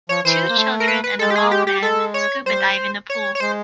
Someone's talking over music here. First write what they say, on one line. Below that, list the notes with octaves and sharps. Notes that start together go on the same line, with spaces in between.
Two children and a bald man scuba dive in a pool.
F3 C#5
E3 C5
A#3
A3
A#4
B4
B4
G#3 A4
G4
G#4
G4
G4
G#3 A4
C#5
G3 C5
C#5
C#5
G#3 C5